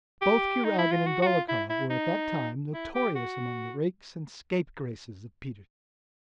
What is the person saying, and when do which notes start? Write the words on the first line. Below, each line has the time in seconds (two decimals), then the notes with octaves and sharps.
Both Kuragin and Dolokhov were at that time notorious among the rakes and scapegraces of Petersburg.
0.22 G4
0.64 D#4
0.78 E4
0.92 F4
1.06 F#4
1.22 F#4
1.27 F4
1.49 E4
1.69 E4
1.90 D#4
2.74 E4
2.95 G4
3.16 F#4